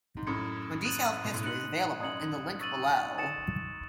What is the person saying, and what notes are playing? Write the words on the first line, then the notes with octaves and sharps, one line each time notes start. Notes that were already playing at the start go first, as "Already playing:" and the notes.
A detailed history is available in the link below.
G#2
F#2 A2 B5 D#6 G#6 C#7
D#6 F#6 A6 D#7 F#7
B2
A2
G#2 F#6 C#7 F#7
F#2 D#6 G#6 C#7 F#7
C#6 E6 A6 D#7 F#7
D#6 A6 C#7 E7